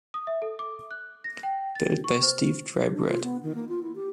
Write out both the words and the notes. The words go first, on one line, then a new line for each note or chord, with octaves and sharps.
Built by Steve Drybread.
D#6
E5
A4
D6
F#6
A#6
G5
A6
C#6
C5
G4
D4
F4
B3
D#3
A#3
F4
E4
G4